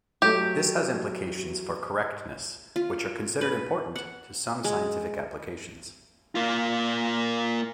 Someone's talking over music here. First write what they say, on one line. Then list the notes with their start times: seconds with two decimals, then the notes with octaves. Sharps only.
This has implications for correctness which are considered important to some scientific applications.
0.22 F#3 A3 G4
2.76 F4
3.41 B4
3.96 F#5
4.64 G#3
6.35 A#3 F4